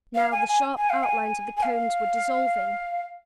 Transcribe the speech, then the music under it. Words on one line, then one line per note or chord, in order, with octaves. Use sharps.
Now the sharp outlines of the cones were dissolving.
F5
G#5
G#5
G#5
F5
G#5
G#5
F5